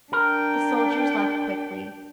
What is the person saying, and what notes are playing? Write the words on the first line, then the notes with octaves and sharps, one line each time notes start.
The soldiers left quickly.
D4 A#4 G5